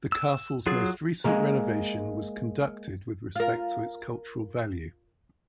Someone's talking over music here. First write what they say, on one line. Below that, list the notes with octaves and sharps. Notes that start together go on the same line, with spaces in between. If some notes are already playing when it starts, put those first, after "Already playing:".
The castle's most recent renovation was conducted with respect to its cultural value.
E6
F#3 F4 G#4
G#3 A#3 A#4
F4 A#4